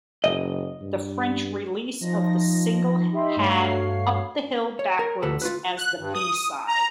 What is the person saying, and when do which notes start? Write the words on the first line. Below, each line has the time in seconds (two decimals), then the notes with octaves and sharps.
The French release of the single had "Up the Hill Backwards" as the B-side.
0.24 F#1 D#5
0.81 G2
2.01 F3 D#4 A#6
3.12 D#4 G4 D#5 E5 B5 C6
3.36 G2 A3 F#4 C#5 F5 C7
4.79 C#5
4.99 A#4
5.22 D2 G4 A4 B4 A5 A#5
5.42 F4 F#4 B4
5.78 F#6
5.99 G2
6.14 D#6
6.68 A#5